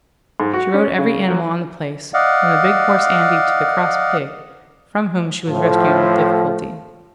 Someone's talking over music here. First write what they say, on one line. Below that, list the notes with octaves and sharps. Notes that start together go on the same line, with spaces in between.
She rode every animal on the place, from the big horse Andy to the cross pig, from whom she was rescued with difficulty.
G#2
F#4
C#4
C#3
F#3
D5 D#5 F5 F#5
A2 F3